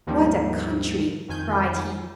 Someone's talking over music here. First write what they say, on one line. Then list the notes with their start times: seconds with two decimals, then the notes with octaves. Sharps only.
"What a country!" cried he.
0.07 D#2 G#2 D3 D#3 F3 G3
1.28 F2 D#3 G#5 G6